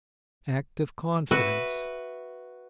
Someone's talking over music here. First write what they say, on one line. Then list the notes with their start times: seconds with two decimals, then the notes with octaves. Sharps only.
Act of Confidence.
1.31 F#4 B4 E5